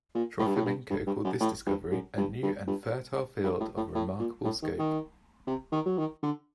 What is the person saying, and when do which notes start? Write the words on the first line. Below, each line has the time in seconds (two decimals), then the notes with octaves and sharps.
Trofimenko called this discovery "a new and fertile field of remarkable scope".
0.15 A#2
0.39 A2
0.47 G2
0.56 A2
0.65 G2
0.90 G2
1.07 G2
1.25 F#2
1.40 A2
1.66 G2
1.91 F#2
2.17 G2
2.42 G2
2.67 G2
3.44 G2
3.60 A2
3.77 A2
3.95 A2
4.19 A#2
4.45 A2
4.62 D#3
4.79 D#3
5.47 C3
5.72 D#3
5.86 F#3
5.98 D#3
6.23 D3